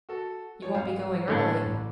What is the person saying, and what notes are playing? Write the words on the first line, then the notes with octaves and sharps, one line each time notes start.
"You won't be going early."
F#4 A4
F3 C#5
G#2 F5
A2 D3 C#4 D4
A1